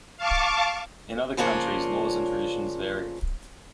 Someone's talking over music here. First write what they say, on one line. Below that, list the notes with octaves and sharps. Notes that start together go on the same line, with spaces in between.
In other countries, laws and traditions vary.
F5 A5 C#6 D6
C#3 F3 A#3 D4 F4 C#5